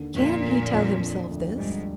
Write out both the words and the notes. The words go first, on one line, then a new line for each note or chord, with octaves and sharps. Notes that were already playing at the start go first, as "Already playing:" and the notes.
Can he tell himself this?
Already playing: D#2 D3
F2 A#2
D3
F2
D4
D2
G#2 G3